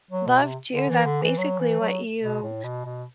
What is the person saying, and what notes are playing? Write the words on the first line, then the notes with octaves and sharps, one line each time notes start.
love too that basically what you
F#3
B2
C3
D3
E3
D3
E3
F#3
E3
F#3
B2
A2
B2
B2